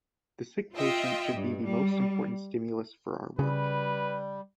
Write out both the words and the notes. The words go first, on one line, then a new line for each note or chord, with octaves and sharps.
The sick patient should be the most important stimulus for our work.
F4 D#5 E5 G5
G2
G3
C#3 G3 B4